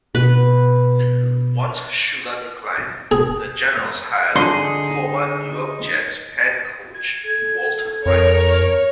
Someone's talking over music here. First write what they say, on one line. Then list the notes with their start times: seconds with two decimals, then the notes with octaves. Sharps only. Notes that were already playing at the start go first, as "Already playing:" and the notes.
Once Shula declined, the Generals hired former New York Jets head coach Walt Michaels.
0.15 B2 B4
3.11 G#4
4.36 D3 D#4 G#4 C6
6.94 G#6
7.26 A4
8.06 F2 A#4 C#5